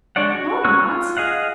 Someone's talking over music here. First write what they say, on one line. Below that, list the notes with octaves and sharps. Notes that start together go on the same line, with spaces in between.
"No, I'm not."
G#3 D4 C#5 D5 F#5
F#4
C#4 C#6 E6 F#6
F4
G#4 D#5 F5 F#5